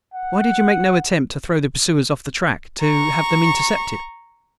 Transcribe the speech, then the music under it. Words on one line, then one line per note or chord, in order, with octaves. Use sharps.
"Why did you make no attempt to throw the pursuers off the track, to have them intercepted?"
F#5
A#5 C#6